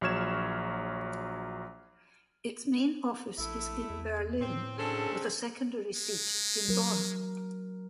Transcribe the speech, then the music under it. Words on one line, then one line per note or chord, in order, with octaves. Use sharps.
Its main office is in Berlin, with a secondary seat in Bonn.
A#1 F#3 C#6 F6 G#6 E7
A#1 A3 E4
E2
A2 C4
C#3 F#3 C4 D4 G#4 A4
G#3
F#3 A#4